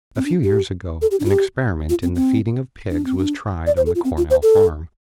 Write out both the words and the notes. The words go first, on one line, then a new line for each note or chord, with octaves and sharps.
A few years ago an experiment in the feeding of pigs was tried on the Cornell farm.
C4
D4
G4
A4
G4
D4
F4
G4
F4
C4
C4
D4
C4
D4
D5
C5
A4
F4
C4
F4
C5
A4